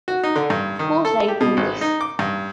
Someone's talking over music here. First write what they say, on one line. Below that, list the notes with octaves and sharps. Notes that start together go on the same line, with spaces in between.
Who's right in this?
F#4
D#4
D3
G2
D#3
A4
G4
B2
G#1
D#4
D6
G2